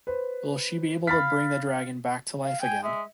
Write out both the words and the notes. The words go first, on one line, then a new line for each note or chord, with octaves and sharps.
Will she be able to bring the dragon back to life again?
B4 C5
F5 B5 A6 B6
F5
G5 G#5
G#3 E5